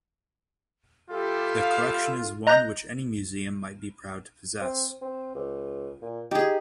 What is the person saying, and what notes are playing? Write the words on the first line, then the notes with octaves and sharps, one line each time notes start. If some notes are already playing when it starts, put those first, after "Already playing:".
The collection is one which any museum might be proud to possess.
G3 F4 G4 A4 E5
F5
D#5 A#5 F#6 G6 A#6
C4
C4
C#2
A#2
D#4 G4 G#4